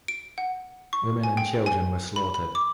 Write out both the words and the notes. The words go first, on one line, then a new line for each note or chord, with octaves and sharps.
Women and children were slaughtered.
D7
F#5
C#6
G#5
G5
G#5
B5
B5
D6